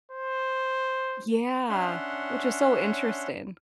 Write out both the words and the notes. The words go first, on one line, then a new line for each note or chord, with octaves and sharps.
Yeah, which is so interesting.
C5
C#4 D4 C#5 E5 F#5 C6